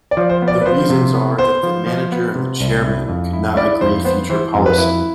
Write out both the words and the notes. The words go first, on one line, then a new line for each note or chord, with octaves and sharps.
The reasons are that the manager and the chairman could not agree future policy.
D5
F3
C5
B3
D5
B4
F3 C5
C3
B3
B3 C5
F3
F3
B3
C3
C2
E4
F2
E4
E4 D5
F2 C5
B3 C5
E3 C5
F2
B4
E4